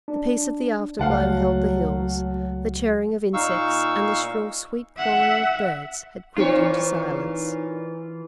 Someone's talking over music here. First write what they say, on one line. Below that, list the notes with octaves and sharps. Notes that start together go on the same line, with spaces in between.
The peace of the after-glow held the hills, the chirring of insects and the shrill sweet calling of birds had quivered into silence.
D4
C#2 F#3 A3 F5 F#5 A5
A#2 D#4 F5 C#6 E6
E5 F#5
A#2 E3 C4 D#4 F4 C#5